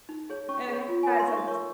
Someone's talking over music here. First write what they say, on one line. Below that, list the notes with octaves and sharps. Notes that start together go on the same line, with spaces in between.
And it has a
D#4
G#4 C#5
C#4 C#6
G#4 C#5
F4
G#5
A#4 C#5 A#5
C6
D#4 C#6
D#6
A#4 C#5 C#6